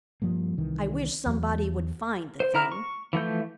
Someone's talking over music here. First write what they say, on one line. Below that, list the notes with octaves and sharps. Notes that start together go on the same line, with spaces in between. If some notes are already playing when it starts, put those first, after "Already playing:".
I wish somebody would find the thing.
G2 F3 G3 A#3
C2 D#3 E3
E2 F#3
C5
D3 E4 A#5 F6
C#6
E3 F3 A3 G6